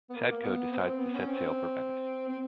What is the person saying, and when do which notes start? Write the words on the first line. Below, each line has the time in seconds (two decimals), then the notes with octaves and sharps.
Sadko decides to set sail for Venice.
0.10 B3
0.15 A#3
0.32 A#3
0.43 B3
0.71 C4
0.99 B3
1.15 C#4
1.27 C4
2.29 C4